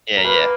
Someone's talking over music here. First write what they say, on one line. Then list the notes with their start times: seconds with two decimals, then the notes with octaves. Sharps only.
Yeah, yeah.
0.17 A#4
0.25 A#3 B4